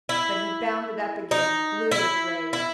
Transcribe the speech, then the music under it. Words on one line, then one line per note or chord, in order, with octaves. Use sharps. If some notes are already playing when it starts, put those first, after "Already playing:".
But he bounded up again, blue with rage.
E4
D#4
E4
E4